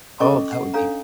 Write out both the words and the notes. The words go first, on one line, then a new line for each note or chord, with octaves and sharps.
Oh, that would be
C#4 A4 D#5 C#6 D6
F#5
D4 A4 C#5 F5 A#5